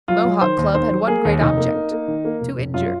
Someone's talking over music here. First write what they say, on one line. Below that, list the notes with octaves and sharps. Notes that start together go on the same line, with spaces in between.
The Mohawk Club had one great object--to injure.
F#3 F4
F#3
D#3 C5
D#2
D#3 C5
F#3
A#3 G#4
D#2
F1 D#4
A#3
A#3
A#3
D#3
A#3
F1
F1
F#2 F4